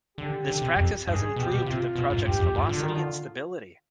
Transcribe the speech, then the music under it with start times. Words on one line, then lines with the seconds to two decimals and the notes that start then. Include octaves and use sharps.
This practice has improved the project's velocity and stability.
0.18 D3 G4
0.47 D3
0.62 C3
0.76 F2
1.06 G2 G#4
1.36 B2 G4
1.51 B2
1.65 C3 F4
1.95 B2
2.10 G#2
2.25 G2 G4
2.39 F2
2.54 G2 F4
2.69 D3
2.79 D#3 F4
2.90 D3